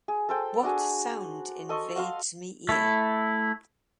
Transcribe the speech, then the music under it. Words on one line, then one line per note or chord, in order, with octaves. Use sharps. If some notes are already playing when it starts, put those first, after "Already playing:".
What sound invades me ear?
G#4
A4 C5 G5
D4 F#4 G#4
A4 D#5 C6 C#6
F#4 F5 C6
A3 E4